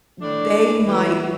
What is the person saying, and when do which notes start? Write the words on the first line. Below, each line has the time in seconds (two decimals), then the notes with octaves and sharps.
they might
0.21 A2 D3 A3 D4
0.85 E3